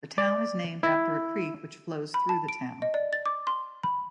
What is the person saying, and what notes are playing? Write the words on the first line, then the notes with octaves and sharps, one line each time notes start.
The town is named after a creek which flows through the town.
D5
E4
B5
A5
D7
D#5
D5
A6
D6
C6
B5